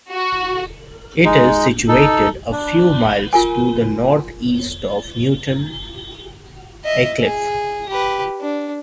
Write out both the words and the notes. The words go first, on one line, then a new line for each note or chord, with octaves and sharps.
It is situated a few miles to the north-east of Newton Aycliffe.
F#4
G#3 D#4
D#4 A4
D4
F4 A#4 G#5
D#5 E5
G#4
G4 B4
D4